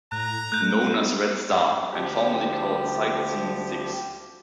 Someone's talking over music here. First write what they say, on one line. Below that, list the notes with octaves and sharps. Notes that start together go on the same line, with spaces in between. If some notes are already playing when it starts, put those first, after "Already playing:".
Known as "Red Star", and formerly called the "Sight Seein' Sixth".
A2 A#5 F#6
A3 F#6 G6
D2 F3 G4